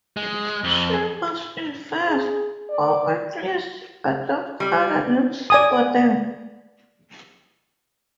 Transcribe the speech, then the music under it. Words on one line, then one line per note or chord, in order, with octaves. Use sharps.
She must invent or at least adopt other names for them.
G#3
F2
G#4
D5
G3
D5 G#5 D#6